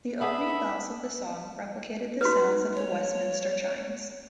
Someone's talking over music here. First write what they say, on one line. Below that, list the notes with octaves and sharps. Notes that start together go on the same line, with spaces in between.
The opening bells of the song replicated the sound of the Westminster chimes.
B3 D4 G#4 E5 B5
D#4 F#4 B4
C#5